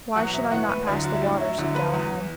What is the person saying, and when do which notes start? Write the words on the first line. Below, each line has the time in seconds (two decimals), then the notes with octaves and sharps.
Why should I not pass the water? said Galahad.
0.15 E2 B2 F#3 F#5
0.34 E5
0.51 A2 E3 F#5
0.69 B4
0.87 D2 D3 F#3 D4
1.04 F#4
1.13 E4
1.22 A2 F#3 D4
1.40 E4
1.58 D2 D3 F#3 E4
1.75 B4
1.94 E2 E3